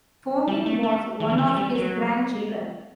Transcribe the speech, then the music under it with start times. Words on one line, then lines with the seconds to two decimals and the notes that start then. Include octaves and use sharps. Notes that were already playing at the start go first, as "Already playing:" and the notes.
Firmin was one of his grandchildren.
0.48 G3
0.66 A3
0.83 A3
1.20 E3
1.30 D3
1.38 E3
1.47 A3
1.57 G3
1.75 F#3